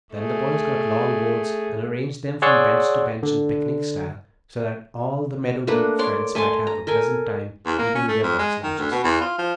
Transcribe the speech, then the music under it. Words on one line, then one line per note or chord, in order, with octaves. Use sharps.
Then the boys got long boards and arranged them from bench to bench in picnic style, so that all the Meadow Brook friends might have a pleasant time eating their box lunches.
A3 G#4
G#4 C#5 D5 F#5 C6 E6
D3
A3 A#3 D4 B4
C#5 D5 C6
A3 G#5 A5 C6
A#5
A4 A#4 G#5
E2
A#3
C#4
A3
F2
G#3
D#3
D2
B2
E2
F4
F3